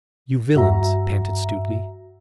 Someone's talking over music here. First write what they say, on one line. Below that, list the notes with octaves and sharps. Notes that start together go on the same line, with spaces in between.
"You villains," panted Stuteley.
G2 F#4 E5 A#5